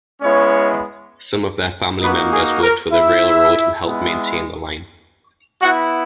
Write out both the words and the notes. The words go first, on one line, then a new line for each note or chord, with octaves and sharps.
Some of their family members worked for the railroad and helped maintain the line.
G#3 B3 C#4 E4 C#5
A#3 B3 D#4 F#4 B4
G#4
A#4
E4 E5
G#3 B3 E4
B3 E4 F#4 F#5